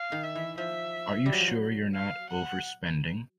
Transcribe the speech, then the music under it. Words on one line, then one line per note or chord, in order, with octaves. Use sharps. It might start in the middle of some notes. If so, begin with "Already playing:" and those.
Are you sure you're not overspending?
Already playing: F5
D#3
E5
E3
F3 E5
G3
F#3
F3
F#3
F5
F#5